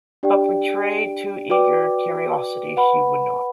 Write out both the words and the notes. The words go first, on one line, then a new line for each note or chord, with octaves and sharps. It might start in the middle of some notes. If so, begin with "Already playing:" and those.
But betray too eager curiosity she would not.
D4 G4 D5 G5
F#4 B4 D5 G5 D6
B4 F#5 B5